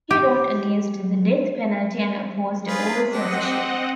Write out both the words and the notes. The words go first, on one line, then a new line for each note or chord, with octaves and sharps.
He wrote against the death penalty and opposed all censorship.
G4
F4 G#4 B4
C4 D4 G4 D#5 F#5